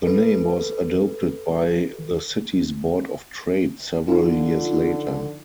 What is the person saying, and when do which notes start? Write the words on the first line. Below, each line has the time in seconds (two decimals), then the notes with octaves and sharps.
The name was adopted by the city's Board of Trade several years later.
0.03 A4 B4
4.07 D3 F3 D#4 F4